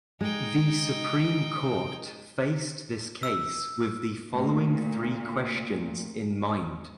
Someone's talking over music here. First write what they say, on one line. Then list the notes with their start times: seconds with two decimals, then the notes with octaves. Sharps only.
The Supreme Court faced this case with the following three questions in mind.
0.21 G#3 D#4 G5
3.23 E6
4.31 D2 A#2